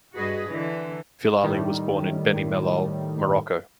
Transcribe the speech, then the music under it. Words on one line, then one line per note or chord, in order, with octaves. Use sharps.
Filali was born in Beni Mellal, Morocco.
G2 F#4 G#4 B4 D#5
D3 E3
A2 D#3 G3